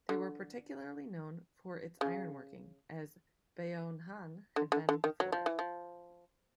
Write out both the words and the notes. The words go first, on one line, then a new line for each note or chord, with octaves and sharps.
They were particularly known for its iron-working, as Byeonhan had been before it.
D3
C#3
D3
D3
D3
D#3
F#3
F3
E3
F3